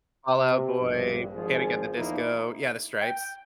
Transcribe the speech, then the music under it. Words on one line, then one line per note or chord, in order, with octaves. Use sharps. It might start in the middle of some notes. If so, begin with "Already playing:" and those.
Fall Out Boy, Panic at the Disco? Yeah, The Stripes.
C3
A#1 G2
G#1 F3 G#4
E2 F3 A#3 D#4 E4
G5